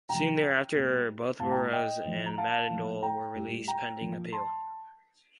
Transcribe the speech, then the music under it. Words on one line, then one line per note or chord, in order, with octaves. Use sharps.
Soon thereafter both Burros and Madole were released pending appeal.
C3 F3 G5 A#5
A#2 G3
A2 G3 F5 A5
G5 A#5
D#5 G5
A2 F3
A#5
F5 A5
A#2 F3
G5 A#5
A2 G3
G5 A#5
A#2 F3
A5 C6